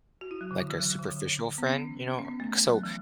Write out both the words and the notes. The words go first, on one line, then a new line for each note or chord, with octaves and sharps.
like a superficial friend, you know? C So,
F#4
E4
F#3
C#3
D3
E3
F#3
C#3
D3
B3
C#4
C#4
B3
A3
F#3
E3